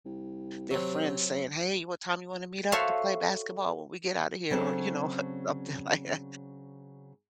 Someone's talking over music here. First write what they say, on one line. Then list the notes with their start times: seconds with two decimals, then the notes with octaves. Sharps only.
their friends saying, "Hey, what time you wanna meet up to play basketball when we get outta here?" Or, you know, something like that.
0.05 C2
0.71 C3 F#3 C4
2.72 F#4 A4 C5 C#5 E5 F5
4.50 C#3 F#3 C4 D4 A4